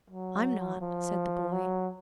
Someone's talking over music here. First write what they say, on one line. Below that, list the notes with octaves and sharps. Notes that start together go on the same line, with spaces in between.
"I'm not," said the boy.
F#3
F3
F#3